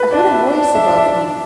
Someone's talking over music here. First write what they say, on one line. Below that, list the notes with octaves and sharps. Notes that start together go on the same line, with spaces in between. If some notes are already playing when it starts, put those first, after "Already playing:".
I heard a voice above me.
Already playing: B4
D4 D5
E5
D4
D5
E5
D5
E5
D5